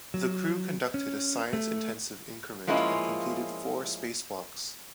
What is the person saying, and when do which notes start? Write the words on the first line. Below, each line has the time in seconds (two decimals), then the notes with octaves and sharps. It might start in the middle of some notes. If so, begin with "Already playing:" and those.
The crew conducted a science-intensive increment and completed four spacewalks.
0.14 F#3
0.94 C#4
1.53 A3
2.67 F3 G#3 A#3 C#4 E4 F4